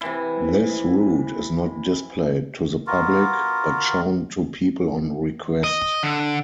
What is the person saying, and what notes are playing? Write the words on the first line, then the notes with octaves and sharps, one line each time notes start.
This root is not displayed to the public, but shown to people on request.
C3 E3 E4
B3 F4 F#4 A#4
D#5
D3